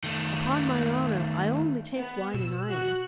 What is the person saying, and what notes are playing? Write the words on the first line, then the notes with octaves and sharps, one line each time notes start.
'Upon my honour, I only take wine and iron.
D#3 A3
B3
B2 E6
F#4 F#6